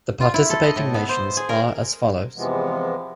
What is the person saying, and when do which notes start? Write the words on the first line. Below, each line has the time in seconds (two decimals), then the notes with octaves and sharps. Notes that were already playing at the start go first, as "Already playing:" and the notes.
The participating nations are as follows.
0.21 F4
0.34 E4
0.50 A4
0.63 D#5
0.76 A2
0.94 B3
1.09 C5
1.37 G#4
1.49 A#4
2.36 E2 C3 E3 F3 G#3 B3